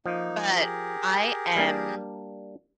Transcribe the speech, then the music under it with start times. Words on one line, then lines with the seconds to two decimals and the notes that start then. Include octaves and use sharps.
But I am
0.06 F3 A#3 D#4
0.56 G4 G#4 A#4
1.56 G3 A#3 D4